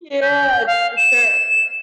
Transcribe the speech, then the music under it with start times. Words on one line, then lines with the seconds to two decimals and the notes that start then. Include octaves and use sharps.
Yeah, it's for sure.
0.21 G6
0.66 F5
0.97 E7